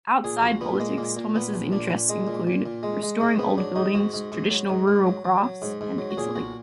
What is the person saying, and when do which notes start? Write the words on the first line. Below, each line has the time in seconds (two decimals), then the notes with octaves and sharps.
Outside politics Thomas' interests include restoring old buildings, traditional rural crafts and Italy.
0.24 A#2 G#4
0.42 A#1 F#4
0.61 A#2 B3
0.80 G#3 A#3
0.97 A#2 A#3
1.17 A#2
1.35 A#2 B3
1.54 A#1
1.72 A#2 D4
1.91 A#2
2.09 G#3
2.28 A#2
2.47 A#2
2.66 A#2
2.83 G#3
3.03 G#3
3.20 G#2 A#3
3.39 G#2 B3
3.58 F#3 D4
3.76 G#2 D#4
3.95 G#2 F#4
4.14 G#2
4.32 G#2
4.51 F#3
4.69 G#2
4.87 G#2
5.07 F#3
5.24 F#3
5.43 F#3
5.62 G#2
5.81 G#2
5.98 F#3
6.11 F#4
6.17 A#2 G#4
6.36 B1 F#4